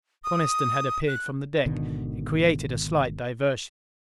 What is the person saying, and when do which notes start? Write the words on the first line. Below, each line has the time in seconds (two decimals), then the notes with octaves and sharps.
Coniston had appeared from the deck; it created a slight diversion.
0.24 D#6
1.08 F#6
1.66 G#1 B2 D3 D#3